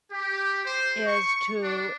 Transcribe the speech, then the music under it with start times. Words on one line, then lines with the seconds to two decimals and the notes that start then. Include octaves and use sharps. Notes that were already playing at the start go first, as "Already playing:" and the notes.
is to
0.11 G4
0.64 C5
1.05 C#6
1.61 D4